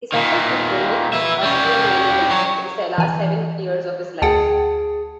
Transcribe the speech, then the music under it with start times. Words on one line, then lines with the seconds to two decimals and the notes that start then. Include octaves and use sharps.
He suffered from chronic osteomyelitis for the last seven years of his life.
0.12 A#2 D#3
1.13 B4 E5
1.43 G3 C#4
2.30 F#3 C#5
2.98 E3 G#5
4.22 D2 G#4 F#5 G5 A5